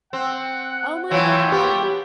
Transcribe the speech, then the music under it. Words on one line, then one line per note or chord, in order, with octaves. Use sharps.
Oh, my god. E
C4 F#5
E3 F#3 F4 C#5 G5
B3 G4